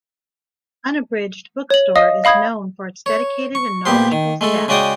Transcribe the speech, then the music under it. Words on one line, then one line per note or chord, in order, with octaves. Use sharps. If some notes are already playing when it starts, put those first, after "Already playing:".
Unabridged Bookstore is known for its dedicated and knowledgeable staff.
C#5 F#7
D#5 F5 D#6
D#5 F5 B5 D#6 G#6
C#5
C#6
A#2 B3 G4 C5
D#3
G#3 A3 A4
C#3 G#3 F#4 D5 G5 D#6